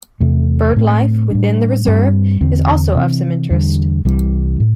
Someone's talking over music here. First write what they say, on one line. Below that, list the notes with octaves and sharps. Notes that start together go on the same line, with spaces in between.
Bird life within the reserve is also of some interest.
E2 C3 A3
A2 A3 C4
A2 G3 D4
G2 G3 C4
E2 D3 C4
C3 E3 C4
E2 D3 G3
C2 C3 E3 G3
A2